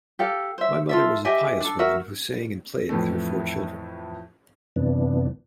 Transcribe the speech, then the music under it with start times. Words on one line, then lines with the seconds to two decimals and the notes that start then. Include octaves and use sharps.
My mother was a pious woman who sang and played with her four children.
0.19 G4 A4 F5
0.58 C5 E5
0.89 F4 A4 E5
1.25 G4 D#5 E5 G#5
1.60 D4 A4
1.79 F#4 A#4 E5
2.89 F2 A2 E3 A3
4.76 F#2 C3 E3 B3 D4